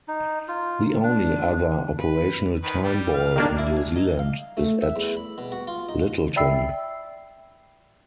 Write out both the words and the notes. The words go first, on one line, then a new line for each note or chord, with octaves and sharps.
The only other operational time ball in New Zealand is at Lyttelton.
D#4
F4
D4
B4
D#3 B4
G3
F5
D#3 A#3 D4
E4
G#5
D#4
F5
A3
E5
E2
B5
B2
F#4
F4
D#4
D5 E5 G5 B5 E6 C7